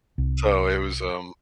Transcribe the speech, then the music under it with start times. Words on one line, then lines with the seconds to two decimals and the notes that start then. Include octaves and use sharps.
so it was, um,
0.18 C2